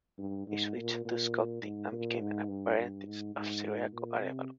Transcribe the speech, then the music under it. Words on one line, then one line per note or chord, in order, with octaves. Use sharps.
He switch to sculpting and became an apprentice of Ciriaco Arevalo.
G2
G#2
A#2
A#2
G#2
A#2
G#2
G2
G2
G#2
G#2
A#2
C3